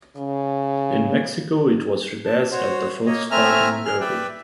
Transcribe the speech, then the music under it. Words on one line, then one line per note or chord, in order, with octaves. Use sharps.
In Mexico it was rebadged as the Volkswagen Derby.
C#3
A5
F#4 C5 C#5
A#3 C#5 D#5
A3 C4 E5 G#5 A#5 F6
G#4 F6
B4 D5 E5 G5